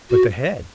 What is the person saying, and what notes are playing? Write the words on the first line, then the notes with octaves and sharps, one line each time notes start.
"But the head?"
F#4